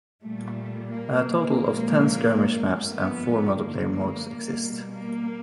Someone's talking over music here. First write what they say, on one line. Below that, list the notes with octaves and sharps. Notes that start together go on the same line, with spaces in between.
A total of ten skirmish maps and four multiplayer modes exist.
A#2 G3 A3
A#3
A#2 F3 G#3
D3 F3 G#3 B3
A#3
B2 G3
A#3